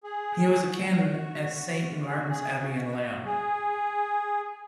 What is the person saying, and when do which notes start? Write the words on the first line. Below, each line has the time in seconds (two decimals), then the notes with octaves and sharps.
He was a canon at Saint Martin's Abbey in Laon.
0.04 G#4
0.68 F#4
1.96 F#4
2.06 G#4
2.15 F#4
2.29 G#4
2.61 F#4
3.25 G#4